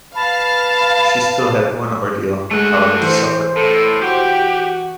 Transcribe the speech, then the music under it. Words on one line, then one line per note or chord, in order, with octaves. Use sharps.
She still had one ordeal, however, to suffer.
B4 F5 A5 B5
G#3 A3 F#5
E3 C5
A2 A4
F#4 G4